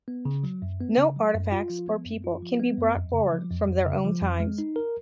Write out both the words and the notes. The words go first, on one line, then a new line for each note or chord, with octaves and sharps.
No artifacts or people can be brought forward from their own times.
B3
C#3
F#3
F#2
B3
C#3
F#3
F#2
F4
F3
B3
F#2
F4
F3
B3
F#2
F2
C#3
F3
F2
F2
C#3
F3
F2
G#3
D#4
A#4